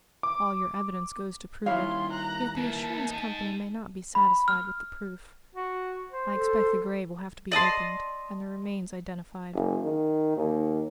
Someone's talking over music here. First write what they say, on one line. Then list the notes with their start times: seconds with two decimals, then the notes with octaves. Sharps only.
"All your evidence goes to prove it, yet the assurance company may not be satisfied with the proof. I expect the grave will have to be opened, and the remains identified."
0.23 D6
1.66 D#2 G3 E4 F4 C#5 F5 C6
2.11 A#5 F#6
2.57 E3 A#3 A5
3.09 D#4 G#5
4.15 B5
4.48 F6
5.55 F#4
6.11 C5
6.35 A4
7.52 D5 D#5 A5 C6
9.54 F#1
9.84 D#3
10.37 D#2